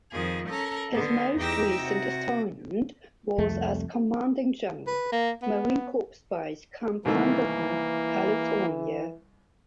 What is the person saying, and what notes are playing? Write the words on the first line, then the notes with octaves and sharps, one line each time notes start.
His most recent assignment was as Commanding General, Marine Corps Base Camp Pendleton, California.
F2 D#3 F3 G#4
C#4 A4 A#4 A#6
D3 B3
E2 D#4 G4 G5 E6 A#6
C3 F#4
C2 F2 A3
B4
A#3
B3
C2 D#3 E3 A3 A#3